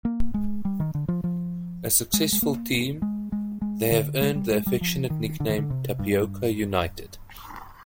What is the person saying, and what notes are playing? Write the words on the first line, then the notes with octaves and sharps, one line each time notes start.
A successful team, they have earned the affectionate nickname Tapioca United.
A#3
G#3
G3
D#3
D3
F3
F3
G#3
G#3
A#3
G#3
G#3
G#3
D3
G#3
G3
G#3
G3
F3
D#3
D3
D#3
D3
C3
G2